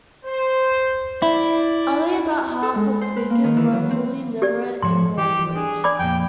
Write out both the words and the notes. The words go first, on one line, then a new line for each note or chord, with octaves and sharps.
Only about half of speakers were fully literate in the language.
C5
E4 D5
A4
G#3
C5
B4
A#3
D#3
E3
F#3
C4
G4 D5
G#2 F3 C#5 C6
E3 G4
D4 G#4
D5 B5 D6
F2 A#2 G5